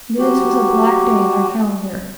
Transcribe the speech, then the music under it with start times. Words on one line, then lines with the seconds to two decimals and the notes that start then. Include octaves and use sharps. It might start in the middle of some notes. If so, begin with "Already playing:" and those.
This was a black day in our calendar.
0.19 F#3 F#4 G4